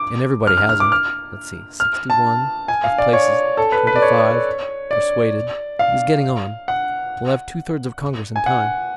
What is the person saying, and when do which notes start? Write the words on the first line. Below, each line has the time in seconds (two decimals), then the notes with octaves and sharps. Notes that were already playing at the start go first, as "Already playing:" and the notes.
And everybody has 'em. . . .Let's see: . . . sixty-one. . . . with places . . . twenty-five . . . persuaded--it is getting on; . . . . we'll have two-thirds of Congress in time . . .
Already playing: D6
0.47 F6
0.58 F6
0.69 F6
0.80 D6
0.92 F6
1.80 F6
2.10 A5
2.68 G#5
2.84 F5
2.98 D5
3.13 C#5
3.57 A4
3.72 B4
3.87 B4
3.96 D5
4.02 C#5
4.91 D5
5.79 F5
6.68 F#5
8.36 G#5
8.46 F#5